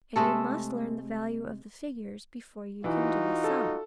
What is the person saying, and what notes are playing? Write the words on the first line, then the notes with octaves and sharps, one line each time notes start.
And you must learn the value of the figures before you can do a sum.
C3 G#3 A3 A4
E3 D#4 F4 F#4
A4